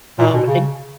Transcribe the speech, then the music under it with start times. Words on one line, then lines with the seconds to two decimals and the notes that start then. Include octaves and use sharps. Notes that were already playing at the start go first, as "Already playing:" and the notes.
Um, and
0.18 A#2
0.33 B2
0.47 C#3